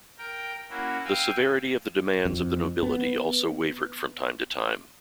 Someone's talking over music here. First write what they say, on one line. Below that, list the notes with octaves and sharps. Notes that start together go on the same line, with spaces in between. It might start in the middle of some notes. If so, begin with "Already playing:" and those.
The severity of the demands of the nobility also wavered from time to time.
A#4 G5
A#3 C#4 E4 F#4
F5 G5 G#5 E6
F2
B3